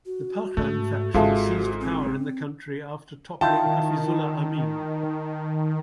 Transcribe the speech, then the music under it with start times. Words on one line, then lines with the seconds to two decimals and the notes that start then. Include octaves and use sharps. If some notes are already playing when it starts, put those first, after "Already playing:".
The Parcham faction seized power in the country after toppling Hafizullah Amin.
0.06 F#4
0.57 G#2 A3
1.14 G#1 G#2 G#3 F4 F#4 A4 E5
1.81 C4
3.41 D#3 E4 F4 G5 A5